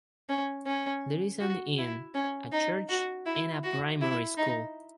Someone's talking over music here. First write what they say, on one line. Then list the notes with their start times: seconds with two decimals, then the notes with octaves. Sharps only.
There is an inn, a church and a primary school.
0.29 C#4
0.67 C#4
1.41 F#4
1.78 E4
2.15 C#4
2.52 D#4
2.89 F#4
3.26 E4
3.63 F#4
4.02 E4
4.38 D#4